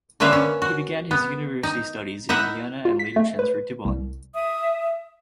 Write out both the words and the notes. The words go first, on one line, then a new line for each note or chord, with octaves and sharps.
He began his university studies in Vienna and later transferred to Bonn.
D3 A#3 C#4 B4 E5 F5
C#4
F#4
B3
D#4
D#4 E4 E5 F#5
F4
B6
A3
B4
C2
E5 D#6